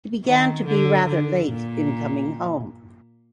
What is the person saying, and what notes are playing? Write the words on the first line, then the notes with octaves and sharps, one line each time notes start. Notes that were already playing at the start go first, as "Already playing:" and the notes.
He began to be rather late in coming home.
D#3
D3
D3
A#2